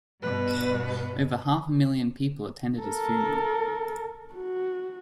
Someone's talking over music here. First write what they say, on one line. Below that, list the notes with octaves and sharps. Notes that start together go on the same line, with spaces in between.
Over half a million people attended his funeral.
G2 B2 B4
A4 A#4
F#4